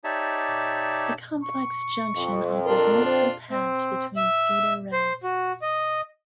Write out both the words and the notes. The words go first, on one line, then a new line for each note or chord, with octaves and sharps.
The complex junction offers multiple paths between feeder roads.
D#4 G4 C#5 D5 E5 A5
C#6
F2
D4 F4 A#4
C4
C4
E5
C5
F#4
D#5